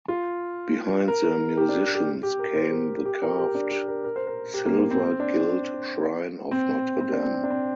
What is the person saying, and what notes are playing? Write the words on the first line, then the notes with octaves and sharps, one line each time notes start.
Behind the musicians came the carved silver-gilt shrine of Notre Dame.
F4
A#4
G4
D4
G4
G4
A#4
C5
A#4
G4
A#4
G4
D4
G4
A#4
A#4
C5
A#4
G4
A#3
A#3
C4
C4
D4
C4
C4
D4
C4
D4
C4